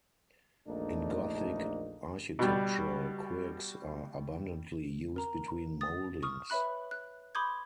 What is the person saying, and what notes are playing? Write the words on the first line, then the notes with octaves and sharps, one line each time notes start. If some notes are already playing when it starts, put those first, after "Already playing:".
In Gothic architecture quirks are abundantly used between mouldings.
A#1 E2 A3 A#3 D4 D#4
B2 G3
A#4 A#5
D#6 A6
C#6 D#6 F6
B4 C#5 E5 B5 F#6
F#6
B5 C6 D6 D#6 G6 G#6